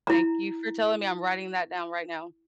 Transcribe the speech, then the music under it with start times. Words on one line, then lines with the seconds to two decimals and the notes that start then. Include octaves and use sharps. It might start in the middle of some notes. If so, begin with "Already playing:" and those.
Thank you for telling me, I'm writing that down right now.
0.07 E4 A#5